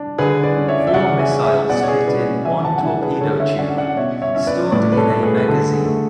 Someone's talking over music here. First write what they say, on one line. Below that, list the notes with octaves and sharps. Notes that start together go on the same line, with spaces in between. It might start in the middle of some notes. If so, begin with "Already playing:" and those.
Four missiles fit in one torpedo tube, stored in a magazine.
Already playing: D4
D3 G#4 B4
B4 D5
C#4
C#5 E5
D5
E5
C#3 D5 F#5
E5 G#5
C#4
E5 G#5
B2 D5 F#5
C#5
G#4 B4
C#4 B4 D5
E3 E5 G#5
F#5 A5
F#5
D4 E5 G#5
G#4 B4
D3 A4 C#5
C#5 E5
C#4 D5 F#5
D5 F#5
B2 C#5 E5
C#5 E5
C#4 E5
B4 D5
A2 B4 D5
B4
A4 C#5
A3
G#4 B4
B4
D3 A4
G#4
A3